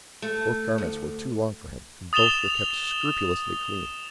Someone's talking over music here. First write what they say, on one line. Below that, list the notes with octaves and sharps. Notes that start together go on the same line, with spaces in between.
Both garments were too long for him, and both were kept scrupulously clean.
A3
D2
D#6 A6 E7 F7 G7